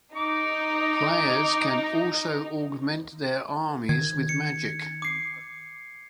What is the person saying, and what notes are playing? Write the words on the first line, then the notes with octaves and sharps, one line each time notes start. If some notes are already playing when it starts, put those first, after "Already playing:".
Players can also augment their armies with magic.
D#4 D6
D#3 G#6
C#7
D6 C7